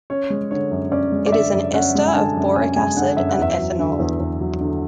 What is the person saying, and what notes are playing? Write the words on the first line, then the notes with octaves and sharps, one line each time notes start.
It is an ester of boric acid and ethanol.
C#4 C#5
G#3
D3 C#5
F#2
C#4 D5
G#3
D5
D3 E5
F#2
C#4 F#5
G#3
G#5
D3 A5
F#2
C#4 G#5
G#3 G#5
D3 F#5
F#2 E5
F#5
E2 E5
F#3
D3
E2
E2
F#3
D3